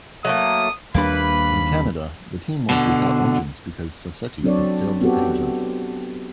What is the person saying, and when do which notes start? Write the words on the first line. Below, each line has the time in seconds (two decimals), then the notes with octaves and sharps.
In Canada the team was without engines because Sassetti had failed to pay Judd.
0.25 F#3 A3 A#3 D#6
0.95 D#2 G3 A#3 D4 B4 B5
2.69 B2 D3
4.43 F#3 C4 D4 A4 C#5 D5
5.01 B3 C4 F#4 G4 A4